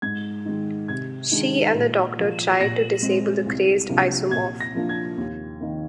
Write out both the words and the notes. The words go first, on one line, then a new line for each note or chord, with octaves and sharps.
She and the Doctor try to disable the crazed isomorph.
G#2 G#6
D#3 G#3
C3 G#6
D#3 G#3 D4
A#2
F3 A#3
A#2 A#6
G#3 C4
C2
C3 F3 A#3 D4
A#2 G#6
A#6
F3 A#3 D4
G#6
D#2
D#3 A#3